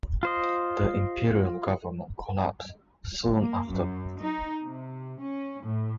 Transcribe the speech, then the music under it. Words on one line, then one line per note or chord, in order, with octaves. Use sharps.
The imperial government collapsed soon after.
F4 C5 D#5
A#3
F#2
D#4
C3
C#4
A2